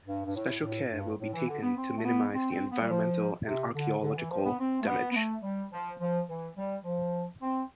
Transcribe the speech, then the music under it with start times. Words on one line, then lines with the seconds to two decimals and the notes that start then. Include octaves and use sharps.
Special care will be taken to minimize the environmental and archaeological damage.
0.06 G2
0.24 G2
0.35 A2
0.63 A2
0.91 G2
1.20 A2
1.33 E3
1.47 D3
1.61 B3
1.76 C4
1.97 A3
2.04 B3
2.32 C4
2.51 C4
2.70 B3
2.80 G3
2.89 F3
3.45 C3
3.74 D3
4.01 D3
4.16 E3
4.30 F3
4.44 B3
4.59 C4
4.81 A3
4.87 B3
5.10 B3
5.15 A3
5.43 G3
5.72 F3
5.99 F3
6.28 E3
6.56 G3
6.84 F3
7.41 C4